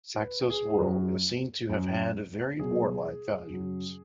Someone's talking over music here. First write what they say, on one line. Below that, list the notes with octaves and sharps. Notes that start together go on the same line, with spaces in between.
Saxo's world is seen to have had very warlike values.
B4
G#4
F#2 F#3
F#2 F#3
B2 F#3 G#4
F#2 C#3 F#3